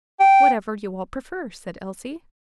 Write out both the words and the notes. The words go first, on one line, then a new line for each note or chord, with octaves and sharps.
"Whatever you all prefer," said Elsie.
G5